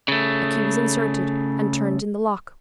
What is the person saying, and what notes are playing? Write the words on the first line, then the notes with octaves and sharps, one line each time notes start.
A key was inserted and turned in the lock.
C#3 A3